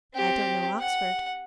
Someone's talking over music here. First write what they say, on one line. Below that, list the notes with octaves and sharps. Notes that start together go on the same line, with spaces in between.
'I don't know Oxford.
C4 G4
F#5